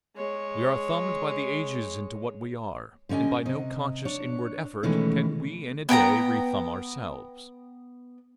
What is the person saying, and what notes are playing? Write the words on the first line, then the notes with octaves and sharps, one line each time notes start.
We are thumbed by the ages into what we are, and by no conscious inward effort can we in a day rethumb ourselves.
G#3 C#5
D3 G3 C#4 D#5 G#5
C3 D#5
D4 C#5
B2 D#3 E3 G#3 A3 C#4
B3 G5 A5 A#5